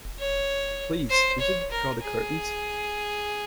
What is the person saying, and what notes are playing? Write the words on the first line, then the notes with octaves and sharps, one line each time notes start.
Please could you draw the curtains?
C#5
C5
C#5
A#4
G#4